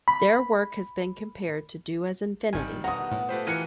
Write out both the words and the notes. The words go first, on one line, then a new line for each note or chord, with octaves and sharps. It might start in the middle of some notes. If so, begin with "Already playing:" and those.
Their work has been compared to Do As Infinity.
B5
G#1 D#3 G3 G#5
B2 D3 B3 F#5 A#5 D#6
A2
A3 F4 G4 G#4 B4 C5
E3 A#4 F#6 C#7 D#7